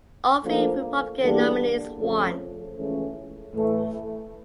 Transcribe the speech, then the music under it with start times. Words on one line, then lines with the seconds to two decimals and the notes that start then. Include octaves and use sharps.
All three Republican nominees won.
0.44 D2 D3 F3 A#3
1.21 E2 D3 G3 A#3 D4
1.99 F2 C#3 F3 A3 C#4
2.77 C#2 C#3 E3 A3 C#4
3.53 A2 E3 A3 E4